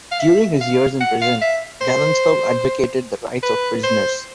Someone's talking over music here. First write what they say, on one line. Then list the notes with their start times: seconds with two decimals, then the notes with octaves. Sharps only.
During his years in prison, Galanskov advocated the rights of prisoners.
0.11 F5
0.20 E5
0.61 F5
1.01 F#5
1.21 F5
1.41 E5
1.81 C5
3.43 B4
3.83 C5